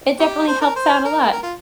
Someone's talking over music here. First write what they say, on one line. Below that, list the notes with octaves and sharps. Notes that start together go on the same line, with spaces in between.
it definitely helps out a lot.
C4 G4
C5
A#4
C5
A#4
A#4
F4